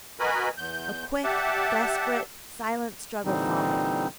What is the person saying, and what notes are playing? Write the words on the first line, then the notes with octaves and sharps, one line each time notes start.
A quick, desperate, silent struggle followed.
F#4 A#4 B4 D#5 G#5 B5
E2 G6
G4 D5 E5 F#5 A5
A#2 D3 E3 G3 C4 D#4